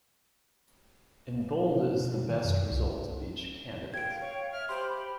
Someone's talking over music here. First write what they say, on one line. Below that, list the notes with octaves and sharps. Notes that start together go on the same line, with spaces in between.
In bold is the best result of each candidate.
B2
D#3
F#2
C2
F5 G5 G#6 D7
C#5
E5 F6
G4 C5 B5 C6